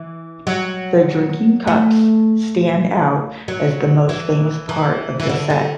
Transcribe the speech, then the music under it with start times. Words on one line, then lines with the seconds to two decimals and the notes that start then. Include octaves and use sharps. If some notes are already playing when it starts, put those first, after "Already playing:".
The drinking cups stand out as the most famous part of the set.
Already playing: E3
0.47 F#3
1.67 A3
3.48 F#3
4.09 E3
4.69 E3
5.20 E3
5.29 D3
5.50 D3